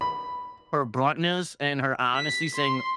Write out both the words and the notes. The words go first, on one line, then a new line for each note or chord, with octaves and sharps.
her bluntness and her honesty saying,
B5
B6
C6